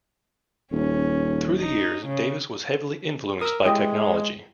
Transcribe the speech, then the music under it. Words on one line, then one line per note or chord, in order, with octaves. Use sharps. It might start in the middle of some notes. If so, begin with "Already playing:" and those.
Through the years, Davis was heavily influenced by technology.
D#1 C#4
D#4
C#3
A#4 D#6 E6
G#3 E4 G4 D#5